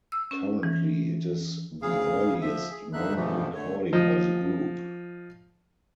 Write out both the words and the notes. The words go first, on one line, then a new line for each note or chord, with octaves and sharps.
Currently, it is the earliest known recording by the group.
E6
C#4
E3
D2 C#3 G#4 F5
F3 E5
G#4
G2 D3 D4 D#4 E5 F#6
E2 G2 B2 E3 F3 A3
D3 A3 C#5
F3 D#5